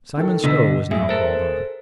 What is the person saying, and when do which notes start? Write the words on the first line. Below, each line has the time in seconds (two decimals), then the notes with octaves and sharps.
Simon Stow was now called on.
0.17 D#3 A4
0.44 B2 D3 E6 B6
0.91 F#2 A2 G#4 E5
1.09 A4 A#4 C5